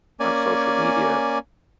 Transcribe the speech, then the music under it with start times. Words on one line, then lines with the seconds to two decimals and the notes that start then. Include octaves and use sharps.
on social media,
0.20 A#3 C#4 D5 G#5